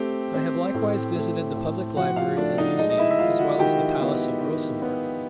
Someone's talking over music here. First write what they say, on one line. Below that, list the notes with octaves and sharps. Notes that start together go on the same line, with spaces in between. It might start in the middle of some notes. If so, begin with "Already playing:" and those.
I have likewise visited the public library and museum, as well as the palace of Rosembourg.
Already playing: A3 C4 G4 G5
C4
A2
A3
A2
F3 F#4 F#5
F4 F5
A3 D4 D5
D#4 D#5
G#3 D#4 D#5
D#5
E4 E5
E5
D#3 F4 F5
F#4 F#5
D#3 G4 G5
B3
D#3
B3